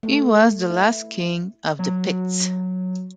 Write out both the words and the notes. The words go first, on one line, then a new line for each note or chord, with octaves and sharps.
He was the last king of the Picts.
A3
E4
F#3